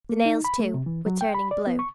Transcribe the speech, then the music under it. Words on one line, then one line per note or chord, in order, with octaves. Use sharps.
The nails, too, were turning blue.
A#3
D#4
B5
A3
C3
E3
F#3
G5
B5
D5
B3
C#6